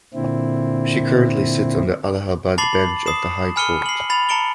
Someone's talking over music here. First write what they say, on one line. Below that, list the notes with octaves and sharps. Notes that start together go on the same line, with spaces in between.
She currently sits on the Allahabad Bench of the High Court.
A#2 D3 C4 E4
A5 B5 D6 A6 C7 F#7
D#6 C7 E7
G#5 B5 F6 C#7 D#7 G7
C7 F#7
B5 A6 F7
A5 A#5 C#7 D7 F7 G7